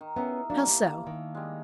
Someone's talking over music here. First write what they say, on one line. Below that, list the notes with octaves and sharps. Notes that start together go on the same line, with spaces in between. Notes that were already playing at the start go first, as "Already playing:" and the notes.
"How so?"
D#3
B3 C#4 E4 G#4 A#4
F#3 A#3 D4 A5
G3
D#3
G3 G#3